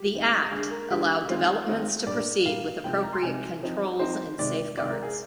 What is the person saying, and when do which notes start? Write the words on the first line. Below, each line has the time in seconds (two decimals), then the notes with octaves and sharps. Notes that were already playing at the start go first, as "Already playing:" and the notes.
The Act allowed developments to proceed with appropriate controls and safeguards.
Already playing: G4
0.13 D#3 G#3 C4 D#4
0.52 D3 G#3 D4 G#4
0.71 A#4
0.91 D3 G#3 D4 G4
1.29 D#3 G#3 C4 D#4 F4
1.68 D#3 G#3 C4 D#4
2.06 A#2 G3 A#3 D4 D5
2.45 A#2 G3 A#3 D4 F5
2.84 C3 F3 G#3 C4 D#4 G5
3.03 A#5
3.13 C6
3.22 C3 F3 G#3 C4 D#4 G#5
3.61 F3 C4 D#4
3.99 F3 C4 D#4 C5
4.38 C3 D#3 G#3 D5
4.77 C3 D#3 G#3 D5
4.90 A#4
5.03 G#4